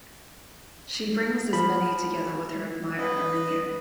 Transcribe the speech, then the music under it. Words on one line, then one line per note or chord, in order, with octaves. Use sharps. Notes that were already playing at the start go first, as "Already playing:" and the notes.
She brings Ismene together with her admirer Erminio.
F3 B5
B4 D#5